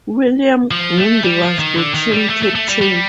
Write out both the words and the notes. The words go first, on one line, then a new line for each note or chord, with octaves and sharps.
William Gundy was the team captain.
F3
A3
G3
F3
D#3
D3
D#3
G3
A3
A3
A3
G3
G3